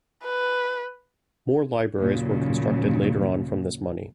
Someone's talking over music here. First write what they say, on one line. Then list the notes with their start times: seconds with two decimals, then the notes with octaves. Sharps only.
More libraries were constructed later on from this money.
0.24 B4
1.99 D#2 A#2 C#3 F#3